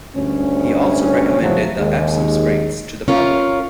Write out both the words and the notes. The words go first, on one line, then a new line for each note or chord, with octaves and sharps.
He also recommended the Epsom springs to the public.
D2 G2 C#4
G#1 E2 C3 F3 F#3
D#2 G#3
C#4 F4 A#4